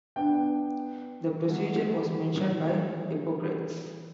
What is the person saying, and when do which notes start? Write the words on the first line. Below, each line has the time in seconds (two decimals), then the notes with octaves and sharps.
The procedure was mentioned by Hippocrates.
0.16 B3 D4 G5
1.46 E3 G3 A3 A#3 C4 F#4